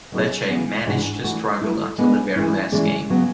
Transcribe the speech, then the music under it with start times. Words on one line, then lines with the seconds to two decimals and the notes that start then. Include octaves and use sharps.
Lecce managed to struggle until the very last game.
0.12 B2 F#3 C#4 G#4
0.49 C#3 E3 B3
0.86 G#2 E3 G#3 D4 F#4
1.24 E3 A3 D4 F#4
1.61 F#3 A3 E4
1.98 G#3 B3 D4 G#4 B4
2.36 E3 G#3 C#4 E4
2.72 E3 G#3 C#4 G#4 D5
3.10 C#3 F#3 B3